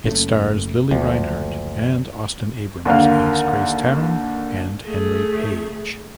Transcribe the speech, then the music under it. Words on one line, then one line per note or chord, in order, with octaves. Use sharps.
It stars Lili Reinhart and Austin Abrams as Grace Town and Henry Page.
F#1 A3 C#4
F#1 D2 F3 A3
D#2 D3 A#3 F5
A3 G#4